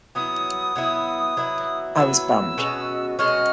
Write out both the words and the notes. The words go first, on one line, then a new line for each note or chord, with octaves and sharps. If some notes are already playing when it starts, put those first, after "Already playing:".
I was bummed.
F#3 B3 E4 D#6
F#3 B3 E4
F#3 B3 E4
F#3 B3 E4 E6
B2 G#3 C#4 F#4
B2 G#3 C#4 F#4 F6